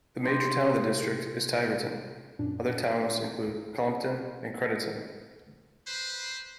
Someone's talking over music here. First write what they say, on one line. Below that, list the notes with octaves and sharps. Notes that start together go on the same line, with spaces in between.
The major town of the district is Tiverton; other towns include Cullompton and Crediton.
C3 C4 B4 C5
F#2 A#2 D4
B4 C5